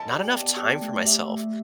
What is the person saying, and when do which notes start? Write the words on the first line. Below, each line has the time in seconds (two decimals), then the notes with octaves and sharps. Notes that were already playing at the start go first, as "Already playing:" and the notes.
not enough time for myself.
Already playing: A5
0.09 G4 D5 G5
0.33 B3
0.56 G4 D5 G5
0.81 A3
1.05 G4 E5
1.29 A3